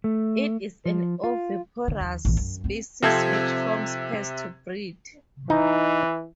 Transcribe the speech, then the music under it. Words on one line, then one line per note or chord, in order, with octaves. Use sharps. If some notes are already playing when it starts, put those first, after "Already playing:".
It is an oviparous species which forms pairs to breed.
A3
F3
F4
D3
D#2
A#1 E3
F#2
B3 C4
C3 F3 C4 A4 E5 G#6
E3 D#4